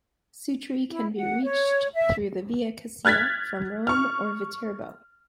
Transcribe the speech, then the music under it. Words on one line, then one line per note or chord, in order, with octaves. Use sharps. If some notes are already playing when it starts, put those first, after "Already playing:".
Sutri can be reached through the Via Cassia from Rome or Viterbo.
E4
F#5
C#5
E5
F6 F#6 G#6 A6 B6
C#6 F6